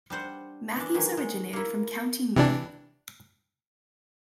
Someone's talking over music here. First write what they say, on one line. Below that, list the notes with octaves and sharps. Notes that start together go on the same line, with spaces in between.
Matthews originated from County Meath.
G3 D4 C5 F#5
E3 D4
D#3 E3 F#3 G#3 G#5
G#3
A#3 E4
C3 E3 D4